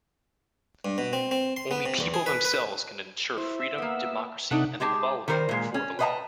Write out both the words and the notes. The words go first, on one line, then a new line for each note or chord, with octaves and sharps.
Only people themselves can ensure freedom, democracy and equality before the law.
G2
B2
C4
C4
C6
B3
C3
E2
G#4
B4
B4
E4 C5
E5
A#3 B3
C3 A3 D4 D#4 F#5
G#3 G4 G#4 A5
D#3 G3 A#4 C5
A#2 G#3
C#4
B4 C5 D#5 F5 A5 A#5